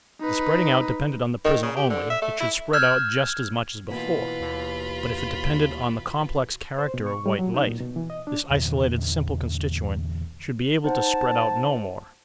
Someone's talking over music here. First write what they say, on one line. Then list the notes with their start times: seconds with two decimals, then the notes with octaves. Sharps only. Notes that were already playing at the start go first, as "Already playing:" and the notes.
If the spreading out depended on the prism only it should spread out just as much as before, but if it depended on the complex character of white light, this isolated simple constituent should be able to spread out no more.
0.20 D#4 B4
1.45 D#3
1.63 C#3
1.77 G4
1.90 D3
2.10 E5
2.22 A3
2.40 E4
2.73 E6 F6 G6 G#6
3.90 B2 E3 A#3 F4 B5
4.41 D#2
6.79 C5
6.94 B2
7.06 C#6
7.26 G3
7.39 F#3
7.54 D#4
7.67 A#2
7.81 B2
7.96 E3
8.10 D#5
8.27 D4
8.50 E2 A#2 D3 E3
10.84 D#4 C5 F#5 A5